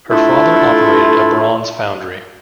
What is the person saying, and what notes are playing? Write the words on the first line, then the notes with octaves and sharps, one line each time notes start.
Her father operated a bronze foundry.
A3 D4 E4 F4